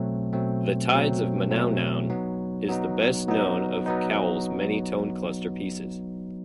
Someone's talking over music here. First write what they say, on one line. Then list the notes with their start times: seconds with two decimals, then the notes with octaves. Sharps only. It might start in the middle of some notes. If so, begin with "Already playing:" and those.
"The Tides of Manaunaun" is the best known of Cowell's many tone cluster pieces.
Already playing: B2 F#3 A3 C4
0.33 B2 F#3 A3 C4
0.92 B2 F#3 A3 C4
1.51 B2 F#3 A3 C4
2.10 F#3 B3 D#4
2.69 F#3 B3 D#4
3.28 F#3 B3 D#4
3.86 F#3 B3 D#4